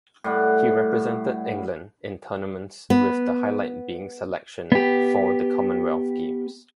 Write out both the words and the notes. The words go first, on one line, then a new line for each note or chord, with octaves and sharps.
He represented England in tournaments with the highlight being selection for the Commonwealth Games.
A2 G3 F#5
B3
B3 G4